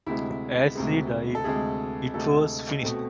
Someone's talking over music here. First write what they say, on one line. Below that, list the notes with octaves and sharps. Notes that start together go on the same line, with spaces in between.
As he died, it was finished.
D2 C3 G#3 E4
D2 C3 G#3
A4
D2 C3 G#3 G#4
D2 C3 G#3 A4
B2 A3 C4